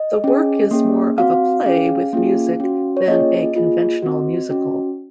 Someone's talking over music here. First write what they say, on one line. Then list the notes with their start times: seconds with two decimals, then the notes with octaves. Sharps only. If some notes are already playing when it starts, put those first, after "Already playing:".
The work is more of a play with music than a conventional musical.
Already playing: D#5
0.24 C#4 G#4
0.71 A#3 C#4 G#4
1.18 C4 F#4 F5
1.66 C#4 G#4
2.13 A#3 C#4 F4 G#4
2.60 C#4 F#4
2.97 C#5
3.07 A#3 C#4 F4 G#4 D#5
3.55 A#3 F4 G#4
4.02 C4 F#4
4.50 C#4 F#4